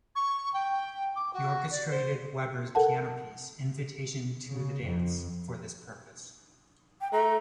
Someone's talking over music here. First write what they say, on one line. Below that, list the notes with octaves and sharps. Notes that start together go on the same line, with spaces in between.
He orchestrated Weber's piano piece "Invitation to the Dance" for this purpose.
C#6
G5
D6
F#4
D5
C5
A4 A#4 F#5 A5
C#3
F2
G5
A3 A#5